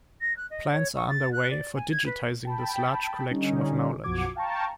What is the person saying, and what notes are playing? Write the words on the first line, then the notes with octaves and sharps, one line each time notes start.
Plans are underway for digitizing this large collection of knowledge.
A#6
F#6
D#5
C#5
C#6
A6
F#6
D5
G#5
G#6
B4
G5 A5 B5
D3 G3 C#4 D#4
B1 F#2 F3 F#4 D6 G#6
F5 G5 A5 A#5 C#6